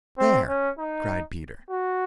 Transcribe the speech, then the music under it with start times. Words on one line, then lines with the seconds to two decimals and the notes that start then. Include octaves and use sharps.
"There!" cried Peter.
0.18 C4
0.49 C#4
0.79 D#4
1.70 F#4